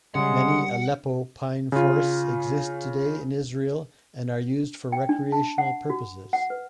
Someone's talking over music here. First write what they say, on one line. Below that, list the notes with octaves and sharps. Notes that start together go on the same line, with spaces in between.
Many Aleppo pine forests exist today in Israel and are used for recreational purposes.
C#3 G3 G#3 F#5
C#3 F4
G5
D4
A5
F#5
F#4
F#5
B4